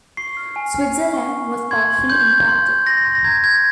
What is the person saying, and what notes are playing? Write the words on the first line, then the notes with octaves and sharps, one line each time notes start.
Switzerland was powerfully impacted.
C#6 C7
F6
G#5
F6
G#5
C#6
C#6
C#6
C6 G#6
C6
C6 G6
C6
C6
G6
C6 A#6
C6
A#6
A#5 G#6
G6 G#6